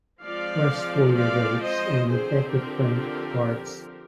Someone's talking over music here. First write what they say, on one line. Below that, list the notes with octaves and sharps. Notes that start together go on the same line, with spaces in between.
Rust sporulates on affected plant parts.
F3 G#3 C4 D5 F5
D5 F5
C5 D#5
D3 F3 C4 G#4 C5
G4 A#4